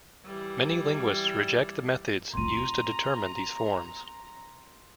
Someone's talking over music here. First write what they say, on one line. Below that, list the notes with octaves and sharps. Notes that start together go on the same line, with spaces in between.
Many linguists reject the methods used to determine these forms.
E3 G3
C4 F4 A#5 C6 D#7